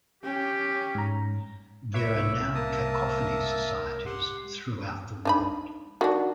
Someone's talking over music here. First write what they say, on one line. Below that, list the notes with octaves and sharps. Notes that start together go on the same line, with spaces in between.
There are now Cacophony Societies throughout the world.
C#4 G4
G#2 A#5
C2 B4 C#5 E5 D6
A#3 A#4 A5 D#6
G4 F#5 C6
D4 D#4 B5
D#3 D4 F#4